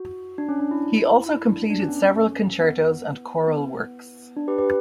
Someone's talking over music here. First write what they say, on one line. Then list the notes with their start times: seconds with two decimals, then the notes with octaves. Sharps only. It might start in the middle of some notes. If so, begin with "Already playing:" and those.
He also completed several concertos and choral works.
Already playing: F#4
0.38 D4
0.49 C#4
0.60 D4
0.71 E4
1.26 E4
1.48 D4
1.70 D4
1.80 C#4
1.88 B3
1.97 C#4
2.59 B3
3.47 B3
4.37 D4
4.48 G4 B4
4.58 G4 B4